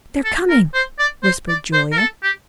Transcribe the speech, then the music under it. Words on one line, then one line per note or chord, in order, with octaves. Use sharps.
"They're coming," whispered Julia.
A4
A#4
C5
D5
C5
D5
C5
A#4
A4
G4